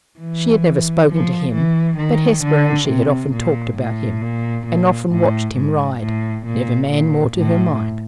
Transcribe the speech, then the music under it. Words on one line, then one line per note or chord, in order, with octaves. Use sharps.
She had never spoken to him, but Hesper and she had often talked about him, and often watched him ride--never man more to her mind.
E3
F3
E3
D#3
D3
C3
A#2
A2
A#2
A#2
A2
G#2
A2
A#2
A#2
A2